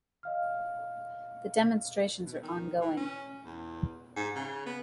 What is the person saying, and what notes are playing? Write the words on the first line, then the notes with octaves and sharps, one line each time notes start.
The demonstrations are ongoing.
D#5 F5 F6
B2
D#3
E3
C#4
E2
G#2
C#3
B3